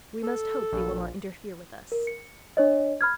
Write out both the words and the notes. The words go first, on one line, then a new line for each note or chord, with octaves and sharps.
"We must hope they will not interfere with us."
A4
A#1
A#4
C#7
D4 C#5 D#5
B5 F6 G#6